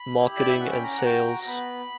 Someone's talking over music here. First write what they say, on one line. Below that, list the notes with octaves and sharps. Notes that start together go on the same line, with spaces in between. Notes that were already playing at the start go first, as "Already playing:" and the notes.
Marketing and Sales.
Already playing: B5
E4 G4
D5
E5
C#4 F#5
G5
A#5
F#5
F#4 G5
A#5
A#5
B3 B5